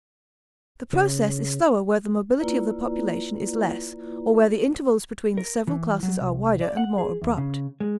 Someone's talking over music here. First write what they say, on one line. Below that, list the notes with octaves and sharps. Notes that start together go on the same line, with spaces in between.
The process is slower where the mobility of the population is less or where the intervals between the several classes are wider and more abrupt.
C#3
A#3 E4 F4 B4 D5 A#5
A#4
E3
F#3
C2
D5
F#5
G#4
E2
C#3
G#3